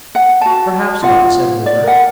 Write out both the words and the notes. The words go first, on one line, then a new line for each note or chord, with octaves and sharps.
"Perhaps not," said Moore.
F#5
F#4 A5
F4 F#5
D5
A#4 F#5